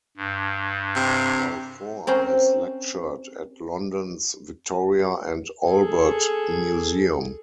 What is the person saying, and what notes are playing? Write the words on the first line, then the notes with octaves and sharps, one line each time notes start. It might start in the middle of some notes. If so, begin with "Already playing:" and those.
Balfour has lectured at London's Victoria and Albert Museum.
G2
C3
C4 C#4 A#4 C5
G#4 A4